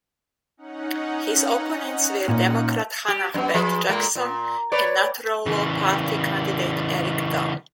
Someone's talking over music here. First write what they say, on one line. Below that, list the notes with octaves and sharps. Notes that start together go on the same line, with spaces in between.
His opponents were Democrat Hannah-Beth Jackson and Natural Law Party candidate Eric Dahl.
C#4 D#4 F#5
A#2
G4
F#2 B3
F3 G#4 B4
A#2 G#3 A#3
A#2
B4 C#5 D5
C#3 E3